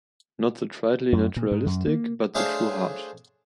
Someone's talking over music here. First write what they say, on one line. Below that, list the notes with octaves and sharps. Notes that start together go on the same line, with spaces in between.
Not the tritely naturalistic, but the true heart.
F#2
A#2
G#2
F#2
A#3
A3 D4 G#4 C5 C#5 F5